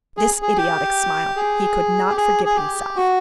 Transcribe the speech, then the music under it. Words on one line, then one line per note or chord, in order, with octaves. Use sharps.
This idiotic smile he could not forgive himself.
G#4
G#4
G4
G#4
G4
G#4
G#4
G4
F#4